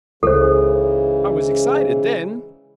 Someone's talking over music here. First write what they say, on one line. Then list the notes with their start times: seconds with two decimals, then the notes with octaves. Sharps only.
"I was excited then."
0.23 C#2 G#2 C#3 E3 A4 C5